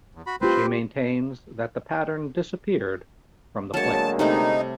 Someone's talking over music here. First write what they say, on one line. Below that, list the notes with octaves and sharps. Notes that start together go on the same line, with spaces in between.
She maintains that the pattern disappeared from the plate.
E2
F#4 B5
A3 C4 F4 G4 B4 C5
D2 F#3 G#3 A#3 C#5 A5
C3 G3 A3 D#4